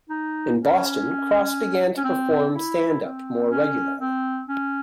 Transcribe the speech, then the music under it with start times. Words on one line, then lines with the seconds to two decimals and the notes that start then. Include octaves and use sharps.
In Boston, Cross began to perform stand-up more regularly.
0.10 D#4
0.59 C#4
1.97 C#4
2.04 C4
2.54 E4
3.02 C4
3.51 C#4
4.00 C4
4.49 C#4